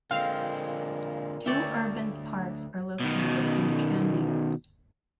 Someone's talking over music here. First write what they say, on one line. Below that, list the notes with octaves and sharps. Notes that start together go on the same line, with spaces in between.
Two urban parks are located in Tranmere.
A#2 D3 G#3 C4 F5
D2 C#5 D5 E5 G5
B2 D#3